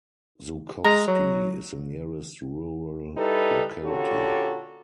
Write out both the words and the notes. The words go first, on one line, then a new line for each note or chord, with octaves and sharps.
Zhukovsky is the nearest rural locality.
G#3 A#5
F#3
G3 D#4 E4 A4 B4
A#2 D3 C#4 F#4 G4 A4